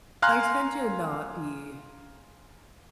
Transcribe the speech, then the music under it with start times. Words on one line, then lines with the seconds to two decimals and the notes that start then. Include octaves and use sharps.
I tend to not be
0.22 F5 G#5 A#5 C6 F6 F#6